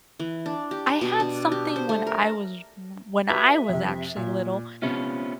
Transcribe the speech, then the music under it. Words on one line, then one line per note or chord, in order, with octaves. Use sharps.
I had something when I was w when I was actually little.
E3
D4
G4
B4
B2
D4
G4
C5
A3
A#4
F#4 G4 B4 E5
F2 C3
A#2
C3 B3 C#4 F4